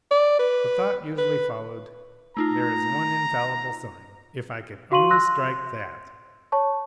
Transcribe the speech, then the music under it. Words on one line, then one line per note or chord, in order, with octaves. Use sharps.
The thought usually followed:--"There is one infallible sign--if I could only strike that!"
D5
B4
B4
A3 D#4 F4 A#5
F#4 F5 C6 C#6 D#7 F#7
C6 E6 F#6 A#6
C#5 A5 C#6